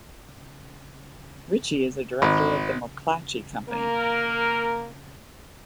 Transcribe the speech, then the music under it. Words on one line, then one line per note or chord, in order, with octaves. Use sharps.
Ritchey is a director of The McClatchy Company.
G#1
A#3 A#4